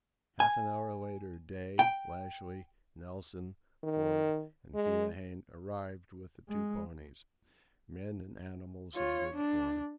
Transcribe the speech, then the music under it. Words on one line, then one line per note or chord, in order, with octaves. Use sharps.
Half an hour later Day, Lashly, Nelson, Forde, and Keohane arrived with the two ponies--men and animals in good form.
G#5
G5
D#3
G#3
G#3
F4 C#5
D4